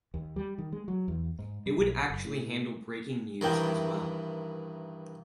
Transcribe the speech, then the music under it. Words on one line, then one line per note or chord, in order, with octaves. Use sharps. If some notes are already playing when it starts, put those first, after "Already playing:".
It would actually handle breaking news as well.
D#2
G3
D#3
G#3
F#3
E2
G#2
G3
B1
F#1
A2
G2 D#3 E3 A#4 E5 G5